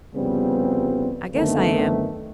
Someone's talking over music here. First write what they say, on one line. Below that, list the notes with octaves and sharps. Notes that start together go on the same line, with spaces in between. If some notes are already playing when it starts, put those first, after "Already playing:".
I guess I am.
C2 F2 C#3 G3 B3 C4
F#2 D3 D#3 A3 B3 C4